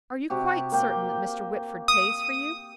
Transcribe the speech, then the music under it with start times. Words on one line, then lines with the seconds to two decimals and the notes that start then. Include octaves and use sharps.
"Are you quite certain that Mr. Whitford pays for you."
0.30 C3 F#4 G4
0.72 A#3 G5
1.88 D#6